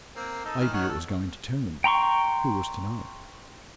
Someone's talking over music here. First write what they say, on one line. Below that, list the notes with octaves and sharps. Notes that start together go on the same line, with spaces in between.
Maybe it was going to turn--who was to know?
A#3 C4
D#4 A4
D#3 E3
D#3 C#5 F#5
A4
G5 A#5 C6 C#6